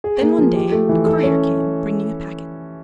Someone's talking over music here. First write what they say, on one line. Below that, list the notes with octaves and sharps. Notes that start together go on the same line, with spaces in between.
Then one day a courier came, bringing a packet.
G#4
A#3
F3
G4
A3
E3
A4
C#4